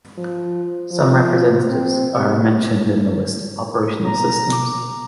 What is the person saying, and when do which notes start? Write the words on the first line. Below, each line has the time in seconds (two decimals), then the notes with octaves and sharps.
Some representatives are mentioned in the list of Operational systems.
0.17 F3
0.91 F3
1.70 C4
2.13 C3
4.05 A#5
4.53 D6